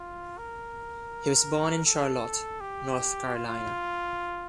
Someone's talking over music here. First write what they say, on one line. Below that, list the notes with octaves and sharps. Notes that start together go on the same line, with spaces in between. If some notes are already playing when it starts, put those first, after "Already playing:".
He was born in Charlotte, North Carolina.
Already playing: F4
A#4
A4
G4
F4